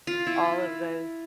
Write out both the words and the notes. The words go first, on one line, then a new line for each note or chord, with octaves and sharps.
All of tho
F4
E4